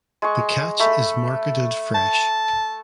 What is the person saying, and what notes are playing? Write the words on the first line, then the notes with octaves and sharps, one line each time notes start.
The catch is marketed fresh.
G#3 C#6
A3 B5
A5